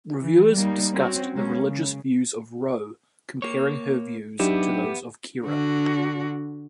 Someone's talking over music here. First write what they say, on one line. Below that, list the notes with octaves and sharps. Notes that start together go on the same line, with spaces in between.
Reviewers discussed the religious views of Ro, comparing her views to those of Kira.
E3
G3 A#3 D#4
C4 C#4 F#4
F#3 G#3 A#3 C#4
C#3
A#3 C#5
F#3 B3 D4 D#4 G4 E5
D3 F#4